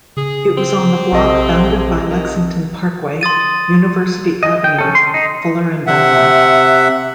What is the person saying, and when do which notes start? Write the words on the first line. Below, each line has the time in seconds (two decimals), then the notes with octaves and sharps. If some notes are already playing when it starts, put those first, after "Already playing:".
It was on the block bounded by Lexington Parkway, University Avenue, Fuller and Dunlap.
0.17 C#3 G#4
0.57 C4
1.12 A#1 C3 A4 D#5
2.10 D#3
3.21 C6 D#6 A6 D#7
4.43 D#5
4.64 G5
4.78 C#4 A4
4.95 C6
5.14 D#4
5.87 C3 E5 F#5